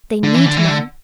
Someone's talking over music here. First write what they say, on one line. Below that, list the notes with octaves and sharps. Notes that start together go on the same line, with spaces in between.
They need none.
D3
E3
D3
E3
D3